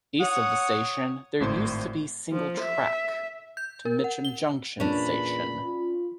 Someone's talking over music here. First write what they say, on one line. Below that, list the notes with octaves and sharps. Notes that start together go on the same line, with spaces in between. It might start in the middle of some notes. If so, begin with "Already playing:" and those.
East of the station there used to be single track to Mitcham Junction Station.
C#5 F#5 D#6
G#1 A2 C5 C6
F3
E5
G6
A#4
F#5
G7
E2 A#2 C#4 D4 B4 B5
F4